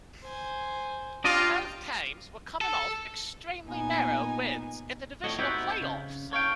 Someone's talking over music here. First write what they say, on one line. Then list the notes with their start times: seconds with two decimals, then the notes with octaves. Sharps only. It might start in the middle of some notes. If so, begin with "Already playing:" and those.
Both teams were coming off extremely narrow wins in the divisional playoffs.
0.24 C5 G#5
1.24 D4 F4 G4 D5 D#5
2.61 A4
3.65 A#2 B3 D#4 G#5
5.24 F2 A2 D3 C#5 D#5
5.39 B3 C4 D#4 E4 F#4 G4
5.81 C#3
6.31 D3 C#5 F5 G5